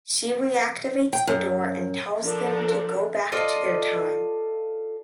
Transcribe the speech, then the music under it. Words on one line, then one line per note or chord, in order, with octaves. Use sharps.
She reactivates the door and tells them to go back to their time.
G5
F#2
F3 D4 A4 A#4
F4 A4 D5 D#5